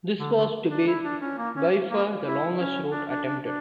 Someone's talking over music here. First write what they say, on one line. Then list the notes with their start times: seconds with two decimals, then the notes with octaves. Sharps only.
This was to be by far the longest route attempted.
0.19 D3
0.36 D3
0.70 D4
0.87 E4
1.04 D4
1.21 C#4
1.38 A#3
1.55 C#4
1.90 A#3
2.24 E4
2.58 C#4
2.91 D4
3.10 D4
3.26 D4
3.43 D4